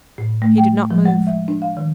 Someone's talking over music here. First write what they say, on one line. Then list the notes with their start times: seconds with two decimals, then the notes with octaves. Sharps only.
He did not move.
0.18 A2
0.42 A3
0.58 G5
0.91 F3
1.06 G#3
1.27 E5
1.48 D4
1.62 F5
1.77 D#3